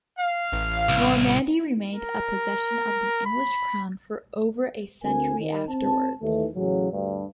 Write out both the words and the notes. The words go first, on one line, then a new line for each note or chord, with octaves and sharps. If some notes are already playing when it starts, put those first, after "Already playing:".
Normandy remained a possession of the English crown for over a century afterwards.
F5
A1
C2
A#4
B5
D2 C4 A#4 G#5
D#3
C4 A5
D#2 E3 A3
A1 C#3 F#3
D2 G2